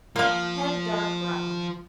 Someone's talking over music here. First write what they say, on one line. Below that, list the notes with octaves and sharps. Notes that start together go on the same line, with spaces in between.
Head dark brown.
F3 A#3 F5